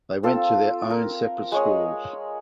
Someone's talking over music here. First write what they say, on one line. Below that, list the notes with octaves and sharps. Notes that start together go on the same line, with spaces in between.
They went to their own separate schools.
C4 F4 A4
A#4
G#3 C#5 D#6